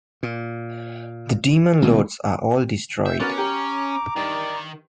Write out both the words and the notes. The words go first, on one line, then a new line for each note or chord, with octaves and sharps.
The Demon Lords are all destroyed.
A#2
C#2 B2 D#3 A#3
E5 G5
B3 C#4 F#4 A#4 D6 A6
G4 A#5
G2 D#3 D5